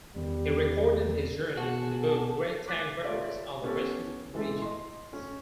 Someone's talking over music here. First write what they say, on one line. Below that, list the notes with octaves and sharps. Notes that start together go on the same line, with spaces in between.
He recorded his journey in the book "Great Tang Records on the Western Regions".
E2 D#3 G3
B2 F#4 G#4 A5
D6 F#6 B6
F4 A4 C#5 D5 E5 F5
B3 C#4 G4 A4
E3 G#3 A4 E5
D#5 C6
C#4